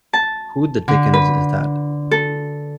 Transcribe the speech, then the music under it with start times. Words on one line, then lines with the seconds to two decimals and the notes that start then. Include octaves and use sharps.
Who the dickens is that?
0.13 A5
0.88 D3
1.14 B4
2.11 A4